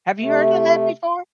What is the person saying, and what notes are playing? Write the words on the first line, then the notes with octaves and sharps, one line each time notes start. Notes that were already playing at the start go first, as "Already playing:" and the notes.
Have you heard of that before?
C3 A3